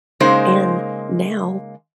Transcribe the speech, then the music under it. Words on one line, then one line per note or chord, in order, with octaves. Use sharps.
And now,
C#3 G#3 A#3 D#4 C5